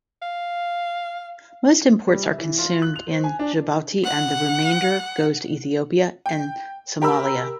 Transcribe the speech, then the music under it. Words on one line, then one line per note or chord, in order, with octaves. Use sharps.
Most imports are consumed in Djibouti and the remainder goes to Ethiopia and Somalia.
F5
G3
E5
E3
F4
F#6
F7
C5
G#5
D4
F#5
G5
G4 A#4 B5 E6